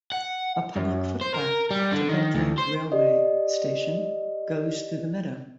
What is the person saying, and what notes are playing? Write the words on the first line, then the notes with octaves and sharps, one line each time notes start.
A public footpath to Bentley railway station goes through the meadow.
F#5
F#2
C5
A#4
G3
D3
D#3
D2
C5
G4 D5 D#5